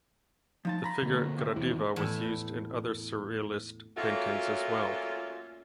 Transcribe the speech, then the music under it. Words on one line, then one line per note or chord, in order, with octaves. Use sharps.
The figure Gradiva was used in other Surrealist paintings as well.
F3 D#4 A5
A#5 B5
D3 A#3
C3
E1 D#2 E3
E2 A2 E4
A#2 F#3 A3 C#4 F4 F#4